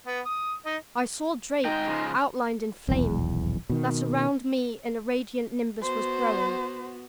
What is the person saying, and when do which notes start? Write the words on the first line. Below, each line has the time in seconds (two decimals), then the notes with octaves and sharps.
I saw Drake outlined in flame; that around me a radiant nimbus was growing.
0.07 B3
0.26 D#6
0.66 D#4 D#5
1.65 G#2 D#4 G5
1.87 C#3 F3 G#3
2.88 D#1 B1 E2
3.70 B2 D#3
5.83 B3 F#4 C5